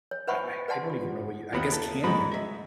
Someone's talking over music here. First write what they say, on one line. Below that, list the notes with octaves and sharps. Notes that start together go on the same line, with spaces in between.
I I don't even know what you I guess canyon.
C#5
B4 C5 E5 F#5 B5 C#6
B4 D5 F#5 A5 C6
F4
D#2 B3 G4 B5
E4 A4
G#2 G#3 D#4 B5
D#5 E5